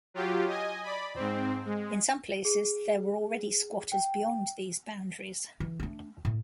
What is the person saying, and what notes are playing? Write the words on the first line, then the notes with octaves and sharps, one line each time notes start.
In some places there were already squatters beyond these boundaries.
F#3 F4 G4
D#5 G#5
D5 B5
G#2 C4
G#3
G#4
G5
E3
A3 D4
A2